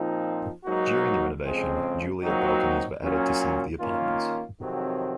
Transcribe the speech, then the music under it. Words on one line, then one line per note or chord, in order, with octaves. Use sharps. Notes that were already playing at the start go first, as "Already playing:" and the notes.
During the renovation juliet balconies were added to some of the apartments.
Already playing: A#2 F3 C4 D#4
G#2 F#3 A#3 D#4 F#4
F2 C#3 G#3 C4
A#2 F#3 C4 D#4 F#4
A#2 F#3 C#4
D#3 A#3 C#4 F4
F2 C3 D#3 F#3 C4